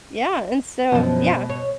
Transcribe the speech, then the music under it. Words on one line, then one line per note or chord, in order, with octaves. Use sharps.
Yeah, and so yeah.
F#2 B2 F3
C#5